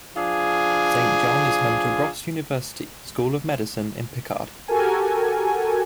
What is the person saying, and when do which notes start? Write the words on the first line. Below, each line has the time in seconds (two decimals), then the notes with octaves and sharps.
Saint John is home to Ross University School of Medicine in Picard.
0.16 F3 D4 F4 G#4
4.68 F#4 G4 A4 A#4 G#5